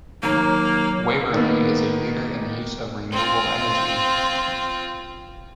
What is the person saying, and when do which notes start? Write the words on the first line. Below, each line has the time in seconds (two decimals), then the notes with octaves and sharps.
Waverly is a leader in the use of renewable energy.
0.23 D#2 F#3 A#3 A#5
1.33 D#3 A#3 B3
3.12 C4 F4